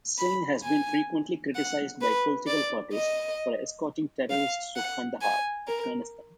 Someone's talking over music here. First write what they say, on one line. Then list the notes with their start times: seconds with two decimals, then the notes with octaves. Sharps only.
Singh has been frequently criticized by political parties for escorting terrorists to Kandhahar, Afghanistan.
0.18 B5
0.64 G#5
1.55 F#5
2.01 B4
2.47 D5
2.93 D#5
4.30 F5
4.76 F#5
5.22 G#5
5.68 A#4